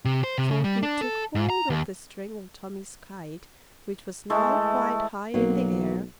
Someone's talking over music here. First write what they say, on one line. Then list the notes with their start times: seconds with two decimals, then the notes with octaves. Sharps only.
So he took hold of the string of Tommie's kite, which was now quite high in the air.
0.05 C3
0.24 C5
0.38 C3
0.51 C#3
0.64 G3
0.83 D4
1.01 A4
1.35 G#2
1.50 A#5
1.70 D#2
4.30 E3 G#3 A3
5.34 B1 F#3 A#3